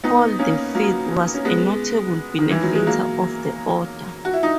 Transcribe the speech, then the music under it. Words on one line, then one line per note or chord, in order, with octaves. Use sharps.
Paul the Fifth was a notable benefactor of the order.
B3 D#4
A#3 C#4
F#3 A#3
C#4
G#3 B3
D#3
E3
F#3
G#3
F#3 A#3
F#4
E4
D#4